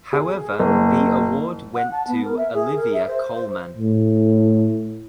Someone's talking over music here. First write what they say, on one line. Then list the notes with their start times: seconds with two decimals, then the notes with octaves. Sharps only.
However the award went to Olivia Colman.
0.13 G#4
0.59 F#1
1.74 F#5
1.92 A5
2.07 B3
2.25 A#4
2.37 E5
2.54 G#4
2.76 A#4
2.93 E5
3.07 C5
3.35 C5
3.77 A2